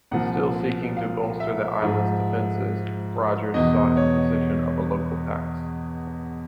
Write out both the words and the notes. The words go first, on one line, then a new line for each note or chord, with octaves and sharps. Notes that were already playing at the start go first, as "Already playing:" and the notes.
Still seeking to bolster the island's defences, Rogers sought imposition of a local tax.
C2 A#2 F3 F#5
F5
E5
G#2 F3
E2 B2 D#5
C#5